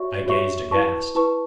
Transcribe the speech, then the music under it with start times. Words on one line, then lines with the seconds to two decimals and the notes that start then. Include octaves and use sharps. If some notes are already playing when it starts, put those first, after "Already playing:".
I gazed aghast.
Already playing: F#4 C#5 E5 C#6
0.26 F#4 C#5 E5 C#6
0.71 E4 B4 A5 C#6
1.15 E4 B4 A5 C#6